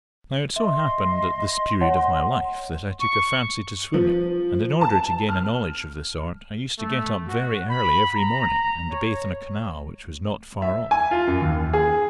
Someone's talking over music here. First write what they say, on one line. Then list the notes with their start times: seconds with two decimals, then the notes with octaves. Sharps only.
Now it so happened at this period of my life that I took a fancy to swimming, and in order to gain a knowledge of this art I used to get up very early every morning and bathe in a canal which was not far off.
0.56 D#5 E5 C6
1.81 C#5 F#5 A5
3.00 C#6
3.94 F3
4.81 A5
5.29 F6
6.78 A3
7.27 F#4
7.70 B5
8.15 A#5
8.90 C#5
10.62 E5
10.91 G#5
11.11 F4
11.27 F#2
11.41 D#2
11.73 G#4